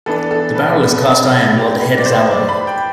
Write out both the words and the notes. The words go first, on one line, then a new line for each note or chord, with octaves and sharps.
The barrel is cast iron while the head is alloy.
E3 B3 D4 A4
A4
B4
B4
G4
B4
D5
C5
D5
B5
G5